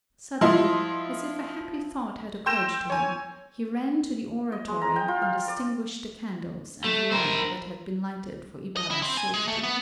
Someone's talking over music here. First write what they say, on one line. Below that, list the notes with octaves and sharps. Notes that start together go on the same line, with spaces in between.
Suddenly, as if a happy thought had occurred to him, he ran to the oratory and extinguished the candles and the lamp that had been lighted for Ibarra's safety.
F3 E4 D#5 C6
G5 C6 E6 G6 A#6 E7
C#5 G#5
D#5
G#3
A#5
G5
F4
F5
D5
A3
A#4 C5
D#5
E4
C4
G#5
G#3
A3
B3